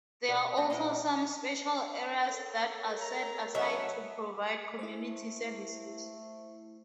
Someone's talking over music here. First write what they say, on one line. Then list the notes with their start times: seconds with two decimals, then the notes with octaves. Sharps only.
There are also some special areas that are set aside to provide community services.
0.29 B2 A#4 D5
0.57 E2 A#2 B3 C4 D4
0.70 A#2 G3 G#3 E4 D#5 F5 A#5
2.28 A4 A#4 C#5
3.01 A#5
3.55 F#3 A3 C#4 D#5 E5
4.79 E4 C5
5.05 A3